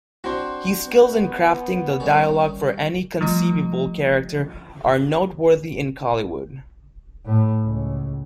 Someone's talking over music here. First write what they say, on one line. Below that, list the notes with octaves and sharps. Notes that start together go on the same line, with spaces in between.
His skills in crafting the dialogue for any conceivable character are noteworthy in Kollywood.
C4 D4 F#4 C5
B3
D#3 G3 C#4
F3 G3 A3 F4 D#5
A2
C#2